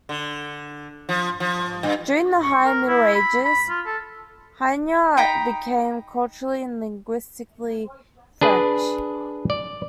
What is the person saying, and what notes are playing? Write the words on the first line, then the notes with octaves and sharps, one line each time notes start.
During the High Middle Ages, Hainaut became culturally and linguistically French.
D3
F3
F3
G2
C#6
A#4
E4
B5
B5
F4
A4
D#4 G5 A#5 B5
D4 G#4 B4
D5